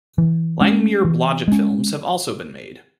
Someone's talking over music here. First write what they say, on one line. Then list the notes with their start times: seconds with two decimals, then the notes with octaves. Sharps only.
Langmuir-Blodgett films have also been made.
0.18 E3
0.61 G#3 C#4
1.05 E3
1.48 G#3 C#4